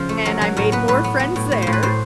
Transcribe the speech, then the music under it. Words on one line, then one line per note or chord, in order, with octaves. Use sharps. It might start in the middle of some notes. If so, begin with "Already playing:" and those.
And I made more friends there.
Already playing: C#3 F3 F4
A3
F#3 A#4
F#3
A2 A#4
B3 B4
A2 B4
B3
B3
A2
A2
A2 C5
B4
A2 C5